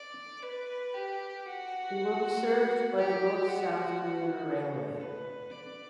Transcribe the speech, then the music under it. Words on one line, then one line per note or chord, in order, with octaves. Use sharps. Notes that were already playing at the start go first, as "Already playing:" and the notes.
It will be served by the North–South Commuter Railway.
Already playing: D5
B4
G4
F#4
G4
F#4
A4
B4
D5